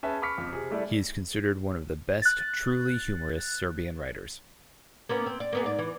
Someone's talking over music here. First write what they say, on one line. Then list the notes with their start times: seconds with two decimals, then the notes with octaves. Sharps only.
He is considered one of the best truly humorous Serbian writers.
0.03 C#4 G#4 B4 E5 G#5 A5
0.22 B5 C#6 D6 F6 B6 C#7
0.38 F2 F3
0.52 C3 G#4
0.70 G3 A3 E4 D5
2.22 F#6 A6
5.09 A#3 B3 C#4
5.26 C4
5.40 D5
5.53 A#3 B3 G#4
5.64 G#2 D5
5.79 E3